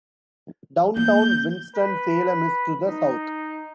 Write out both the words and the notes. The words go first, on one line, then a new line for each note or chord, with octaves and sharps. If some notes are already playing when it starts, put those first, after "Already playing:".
Downtown Winston-Salem is to the south.
A#3 G6
B4
D#4